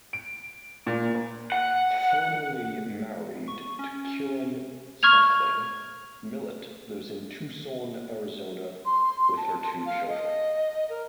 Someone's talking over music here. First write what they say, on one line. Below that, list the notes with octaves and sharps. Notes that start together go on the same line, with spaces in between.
Formerly married to Kieran Suckling, Millet lives in Tucson, Arizona with her two children.
D7
A#2
F#5
C#6
C#4
C#6 F6 G#6 F7
C6
A5
F5
D#5
A#4